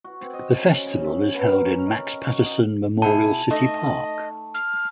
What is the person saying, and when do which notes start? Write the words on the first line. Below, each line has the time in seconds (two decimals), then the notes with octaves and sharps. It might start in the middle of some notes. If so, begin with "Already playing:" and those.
The festival is held in Max Patterson Memorial City Park.
0.04 F#4
0.21 C4
0.33 D#5
0.56 C#3
0.86 C#3
1.04 E5
1.34 B3
1.46 A#4
1.65 C#4
1.86 D#4
2.21 F#4
2.45 D#5
3.02 B2 E4 G#4 A5
3.51 A3 D#4 D#5
4.54 F6